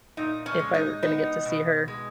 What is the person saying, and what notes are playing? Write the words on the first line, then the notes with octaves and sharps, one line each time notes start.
if I were gonna get to see her
A#2 D#4
C#4
G#3
D#4
B3 D#4
B2
G#3